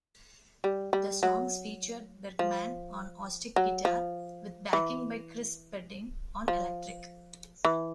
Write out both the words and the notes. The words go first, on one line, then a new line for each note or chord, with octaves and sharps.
The songs featured Bergmann on acoustic guitar, with backing by Chris Spedding on electric.
G3
G3
F#3
F3
F#3
F3
E3
F3
E3